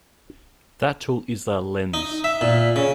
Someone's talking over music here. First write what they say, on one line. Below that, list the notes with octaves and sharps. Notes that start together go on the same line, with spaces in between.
That tool is the "Lens".
D#4
E5
A#2
C#3